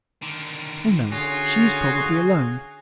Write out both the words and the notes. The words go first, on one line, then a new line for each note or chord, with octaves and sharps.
"Oh, no; she is probably alone."
D3 D#3
D3 C#4 F4 F#4 G#4 G#5